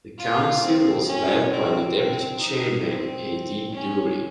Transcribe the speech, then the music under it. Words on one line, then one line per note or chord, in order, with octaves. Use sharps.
The council was led by the deputy chairman, ad-Douri.
F4
C4
C#4
C4
C4
D#4
C4
C#4